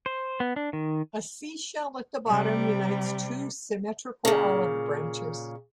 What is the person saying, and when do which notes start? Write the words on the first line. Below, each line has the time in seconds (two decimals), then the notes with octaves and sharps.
A seashell at the bottom unites two symmetrical olive branches.
0.06 C5
0.40 B3
0.56 D4
0.73 D#3
2.27 C3 G3
4.25 A#2 C#3